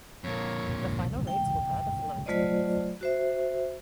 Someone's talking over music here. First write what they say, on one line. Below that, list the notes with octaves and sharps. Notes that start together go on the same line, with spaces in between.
The final rates were per the following table.
F2 A#2 A#3 C#5
G5
F#3 A3 F4 C5 D5 D#5
F#4 C5 E5